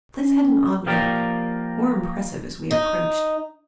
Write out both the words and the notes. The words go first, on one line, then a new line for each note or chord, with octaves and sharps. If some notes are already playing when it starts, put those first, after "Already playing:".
The place had an odd look, more impressive as we approached.
C#4
F3 A#3 G4 A#4 D5
D#4